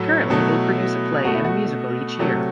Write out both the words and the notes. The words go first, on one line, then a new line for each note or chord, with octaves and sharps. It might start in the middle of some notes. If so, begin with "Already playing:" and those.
Currently, they produce a play and a musical each year.
Already playing: A2 F#3 A3 E4
B2 F#3 A3
B2 A3 F#4
E4
F#4
C3 F#3 A3